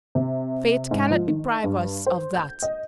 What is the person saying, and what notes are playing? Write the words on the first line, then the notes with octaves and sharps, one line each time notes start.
Fate cannot deprive us of THAT.
C3
G#2
F3
D#3
G2
C5
G6
D#5